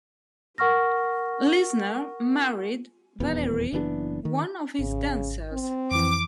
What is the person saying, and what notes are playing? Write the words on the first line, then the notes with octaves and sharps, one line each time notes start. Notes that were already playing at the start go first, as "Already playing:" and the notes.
Lisner married Valerie, one of his dancers.
A#4 F#5 C#6 F6 A#6
D#1 E2 B3
F#1 E3 B3 D4
D#3
G#1 C#3
C4
F2 E3 D6